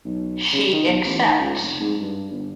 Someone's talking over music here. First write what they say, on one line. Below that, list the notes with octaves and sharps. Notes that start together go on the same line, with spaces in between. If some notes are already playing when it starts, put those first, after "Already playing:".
She accepts.
B1
C#3
D#3
B1
A1
D#3
C#2
F1
G#2
G2
G1